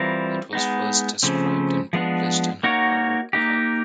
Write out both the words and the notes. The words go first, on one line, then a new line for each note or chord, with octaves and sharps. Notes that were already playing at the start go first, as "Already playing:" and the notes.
It was first described and published in Harvard Pap.
Already playing: E3 G3 C4 F4 A#4
G#3 B3 D#4
C#3 F3 A3 C4
F3 G#3 B3 D4
A#3 D#4 F#4 A#4 C#5
A#3 D#4 G4